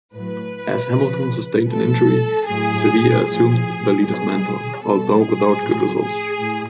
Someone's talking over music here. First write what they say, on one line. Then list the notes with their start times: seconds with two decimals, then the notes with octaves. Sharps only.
As Hamilton sustained an injury, Sevilla assumed the leader's mantle, although without good results.
0.14 A2 F#3 B4
0.91 C#3 F3
1.70 A2 F3 A4
2.48 A2 F#3 G#4
3.26 A2 F3 G#4
4.04 B2 F#3 G#4
4.83 B2 F#3 A4
5.22 G#4
5.61 A2 F3
6.00 G#4
6.39 A2